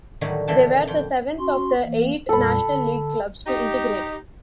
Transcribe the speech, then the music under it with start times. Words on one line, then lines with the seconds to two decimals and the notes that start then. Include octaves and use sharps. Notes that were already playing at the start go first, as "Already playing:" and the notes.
They were the seventh of the eight National League clubs to integrate.
0.21 A2 D3 D#3 F#3 G3
0.48 A#2 D3 E3 A4 G5 A5
0.87 F2 G5
1.38 C#4 F#4 C6
1.84 E3 A#3
2.29 F2 A#2 G3 A4 B5
2.65 D3
3.46 D#4 G4